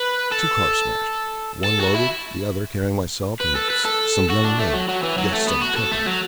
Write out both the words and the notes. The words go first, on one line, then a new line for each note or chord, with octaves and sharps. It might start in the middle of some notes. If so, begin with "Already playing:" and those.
Two cars smashed, one loaded the other carrying myself and some young men, guests of the company.
Already playing: B4
A4
A4
F#4
E4
B4
A4
B4
A4
F#4
D4
A3
F#3
F#3
E3
F#3
A3
B3
F#4
A4
A3
F#3